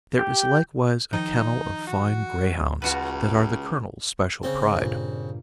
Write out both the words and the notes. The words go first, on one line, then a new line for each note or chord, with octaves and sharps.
There is likewise a kennel of fine greyhounds that are the Colonel's special pride.
G4
D#3 F3 D#4
F#4
D2
C#2 F4 F#4 B4
C#3 C4
G2 A#2